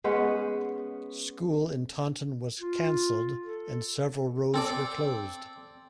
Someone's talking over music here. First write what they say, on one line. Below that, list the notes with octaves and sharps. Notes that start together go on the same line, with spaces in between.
School in Taunton was cancelled, and several roads were closed.
G#3 B3 C#4
F4
A4
C4 A4 D5